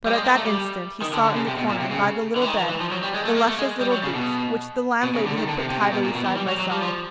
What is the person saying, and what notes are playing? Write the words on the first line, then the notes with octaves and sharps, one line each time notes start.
But at that instant he saw in the corner, by the little bed, Ilusha's little boots, which the landlady had put tidily side by side.
G3
G#3
A#3
A3
G3
D#3
D3
D3
C#3
C3
B2
A#2
C3
C#3
D3
E3
D#3
E3
E3
F3
F#3
G3
G#3
A3
A#3
A3
G#3
G3
F#3
C#3
B2
B2
C#3
D3
D#3
D3
C3
C3
C3
B2
A#2
B2
E3
G3
F#3
F#3
G3
F3